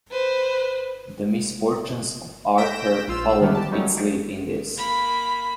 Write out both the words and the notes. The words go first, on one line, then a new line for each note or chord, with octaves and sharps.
"The Misfortunes of Arthur"-followed its lead in this.
B4 C5
G6 A#6 B6 D7 E7
A#1 F4 E6
A2 D3 D#3 G3 A#3 B3
G4 A5
D#3 F#3 G3 A3 C#4 D#4
A#3 B5